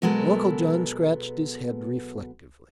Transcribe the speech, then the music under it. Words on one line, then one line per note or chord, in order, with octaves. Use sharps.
Uncle John scratched his head reflectively.
B2 F#3 G#3 B3 A4 A#4